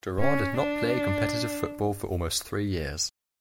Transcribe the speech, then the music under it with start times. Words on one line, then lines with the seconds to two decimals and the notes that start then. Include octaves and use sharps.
Durrant did not play competitive football for almost three years.
0.19 C#4
0.57 D4